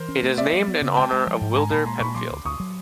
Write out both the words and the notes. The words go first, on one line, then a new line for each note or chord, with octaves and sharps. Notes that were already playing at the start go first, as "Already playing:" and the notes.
It is named in honour of Wilder Penfield.
Already playing: E3 A#4 C5
C#4
A3
B3 D5 E5
F#3
B3
C#3
G#3 G5 A5
G#3
F3
G#2
G#3 G#5 A#5
A#2 A5 B5
G#3 A#5 C6
A#2 B5 C#6
F#3 C6 D6
D2
D2 C#6 D#6
F#3